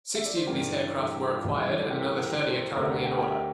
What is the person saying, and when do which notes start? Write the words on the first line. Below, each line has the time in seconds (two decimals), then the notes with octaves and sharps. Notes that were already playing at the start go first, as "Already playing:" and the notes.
Sixty of these aircraft were acquired and another thirty are currently in order.
0.15 E5
0.26 D5
0.36 C5
0.47 G2 E3 G3 G4 A#4
0.99 A4
1.04 G4
1.14 A4
1.23 G4
1.33 F4
1.61 A2 E3 G3 G4
1.79 A4
1.90 G4 A#4
2.11 A4
2.19 G4 A#4
2.47 A4 C5
2.76 D2 D3 A3 A#4 D5
2.91 G4
3.05 G4
3.19 G4 A#4